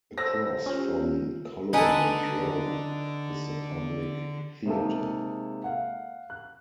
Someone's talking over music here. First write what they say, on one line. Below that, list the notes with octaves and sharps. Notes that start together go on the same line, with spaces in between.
Across from Colonnade Row is The Public Theater.
A4 C5 E6 A#6
C#4 F4 G4
D3 D#4 A4 B4 F#5 G#5
C3 G#3 A#3 D#4 G#4 A4
F5 F#5
F#6